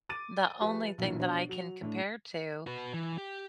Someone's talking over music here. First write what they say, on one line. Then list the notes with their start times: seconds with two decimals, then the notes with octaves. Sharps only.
the only thing that I can compare to
0.09 D6 A6 D#7
0.60 F3 G4 G#4 B4 E5
0.98 B1 G2 A#2 E3
1.20 B2 D4 C5 C#5
1.49 F#3 F7
1.82 A2 A3 D4
2.67 F#4 B4
2.94 E3
3.18 G4